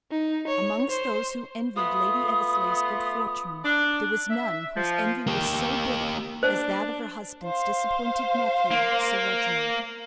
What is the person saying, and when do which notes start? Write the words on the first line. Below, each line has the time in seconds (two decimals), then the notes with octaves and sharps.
Amongst those who envied Lady Eversleigh's good fortune, there was none whose envy was so bitter as that of her husband's disappointed nephew, Sir Reginald.
0.11 D#4
0.48 C#5
0.90 C5
1.76 A3 B3 F4 D#6
3.64 D4
4.30 E5
4.77 F3
5.27 A#3 G4
6.43 D4 C5
7.45 C5 F5
8.71 A#3